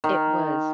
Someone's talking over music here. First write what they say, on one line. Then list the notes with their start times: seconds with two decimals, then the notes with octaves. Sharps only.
it was
0.04 D#3